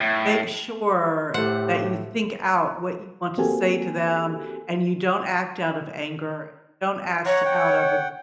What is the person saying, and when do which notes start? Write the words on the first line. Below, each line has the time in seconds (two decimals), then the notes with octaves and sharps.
make sure that you think out what you want to say to them, and you don't act out of anger, don't act out of you
0.01 A2
1.34 A2 A3 G4 C5 F#5
3.38 A#3 C4 F#4 G4 A4 G#5
7.26 C#5 F#5 A#5 F#6
7.45 F#5 G5